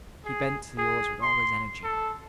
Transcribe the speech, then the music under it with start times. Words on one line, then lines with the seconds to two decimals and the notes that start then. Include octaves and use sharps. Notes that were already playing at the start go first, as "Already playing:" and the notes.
He bent to the oars with all his energy.
0.25 G#4
0.78 G#4
1.21 C6
1.83 A4